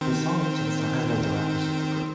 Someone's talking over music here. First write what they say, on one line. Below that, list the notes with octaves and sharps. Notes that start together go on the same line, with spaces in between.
The song intends to highlight the rappers of the group.
D#3 C4 C5